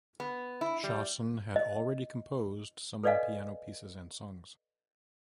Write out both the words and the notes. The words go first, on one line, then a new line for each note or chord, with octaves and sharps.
Chausson had already composed some piano pieces and songs.
B3
E4
G3
D#5
A4 B4 D5 D#5 F5 G#5